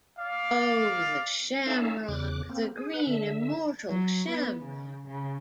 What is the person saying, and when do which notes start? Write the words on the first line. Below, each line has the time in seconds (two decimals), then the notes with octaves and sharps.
Oh the Shamrock, the green immortal Shamrock!
0.19 D5 F5
1.66 C#4 D#4 A4 E5 F5
2.08 E2 C#3 D6 F#6
2.49 A#3 C4
2.76 G#4
2.93 B4 F#5
3.07 D3 E5
3.90 F#3
4.30 B3
4.63 C#3
5.08 C#3